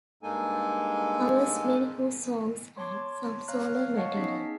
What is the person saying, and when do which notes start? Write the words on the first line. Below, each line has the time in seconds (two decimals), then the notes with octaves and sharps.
Covers many Who songs and some solo material.
0.23 G2 G#3 A#3 D#4 A4 G#5
2.78 C#5 A5 C6 D6 G#6
3.48 C#5 F5 A#5 F6 F#6
3.75 F5
3.96 C#5 D#5 F5 F#5 A5 C#6
4.16 B3 C#4 D#4 G#4 B6 C7